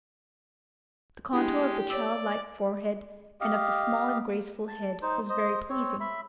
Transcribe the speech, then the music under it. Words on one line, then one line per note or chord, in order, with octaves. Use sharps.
The contour of the child-like forehead and of the small and graceful head was very pleasing.
G#3 D4 E4 G4
C#5 D5 E6
G4 D#5 F5
A5
D#4 C5
C5 D#5
C4 C#5
E5 B5